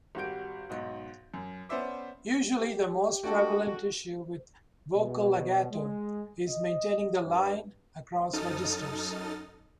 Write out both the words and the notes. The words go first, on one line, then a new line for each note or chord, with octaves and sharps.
Usually the most prevalent issue with vocal legato is maintaining the "line" across registers.
G#1 G3 F#4 G4 G6 D7
B1 G#2 D#4 F#4
F#2
B3 C#4 C5 D5 E5 D6
G4
A3 D4 F#4 A4 D5 G5
B2
G#3
D#5
G2
F#2 D#4 A4 D#6 F6 A6